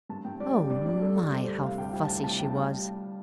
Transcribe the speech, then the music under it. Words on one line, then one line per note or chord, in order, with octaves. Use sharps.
Oh my, how fussy she was!
G2 A5
G2 G5
G3 D5
G3
G2 D5
G2 D5
G3 A4
G3 A4
G3 C5
D2
C3 F5
D2 G5
G3 G5
A5
D2 G5
C3 A5
D2 G5
G3 F5